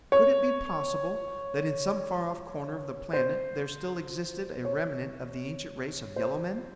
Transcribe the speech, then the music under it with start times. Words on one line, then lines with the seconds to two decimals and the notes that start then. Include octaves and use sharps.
Could it be possible that in some far-off corner of the planet there still existed a remnant of the ancient race of yellow men?
0.12 C#5
3.13 C5
4.65 C#5
6.16 C5